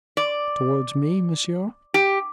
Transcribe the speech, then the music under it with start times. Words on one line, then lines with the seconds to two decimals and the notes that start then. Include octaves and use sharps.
"Towards me, monsieur?"
0.17 D5
1.94 G4